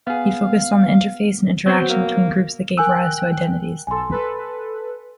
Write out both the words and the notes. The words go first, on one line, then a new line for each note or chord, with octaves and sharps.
He focused on the interface and interaction between groups that gave rise to identities.
B3 G#4 F5
F#3 B3 C4 F#4
A#3
A#4 G5 G#5 E6 F#6
B1 A4 G#5 C6
A4 B4